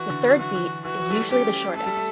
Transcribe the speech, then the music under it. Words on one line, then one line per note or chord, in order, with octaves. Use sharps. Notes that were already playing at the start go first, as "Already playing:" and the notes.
The third beat is usually the shortest.
Already playing: E3 F#4
D3
F#3
E3 F#4
E3
E3 F#4
F#3
A3
G3
C#4 G4
A3 A4
G3
A3